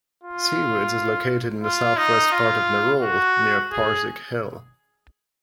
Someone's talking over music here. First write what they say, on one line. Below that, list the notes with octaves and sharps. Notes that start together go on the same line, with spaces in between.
Seawoods is located in the south west part of Nerul, near Parsik Hill.
F4
F4
D#4
F4
F#4
G#4